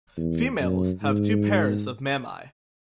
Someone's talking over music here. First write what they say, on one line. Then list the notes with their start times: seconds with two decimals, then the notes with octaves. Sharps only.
Females have two pairs of mammae.
0.17 E2
0.60 F#2
1.03 G#2